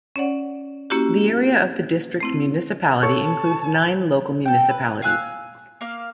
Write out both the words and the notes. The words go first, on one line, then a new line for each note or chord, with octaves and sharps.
The area of the district municipality includes nine local municipalities.
C#4 C#5 D5 F#5
A#3 C#4 E4 F#4 G4
A3 C4 E4
A4 C#5 A5 C#6
A4 G5
B4
F5 G#5 E6 F#6
A#3 F5